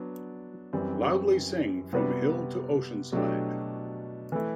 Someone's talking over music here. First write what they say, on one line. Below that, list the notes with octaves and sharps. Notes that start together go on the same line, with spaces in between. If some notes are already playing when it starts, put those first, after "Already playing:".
Loudly sing from hill to oceanside!
Already playing: F#3 B3 D4
F#2 E3 G3 C4
C3 G3 B3 F#4 B4
B2 F#3 A3 D4 G4
E3 A3 E4